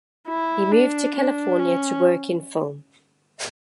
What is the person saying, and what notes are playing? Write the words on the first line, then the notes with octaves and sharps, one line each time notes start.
He moved to California to work in film.
E4
D4
D4
C#4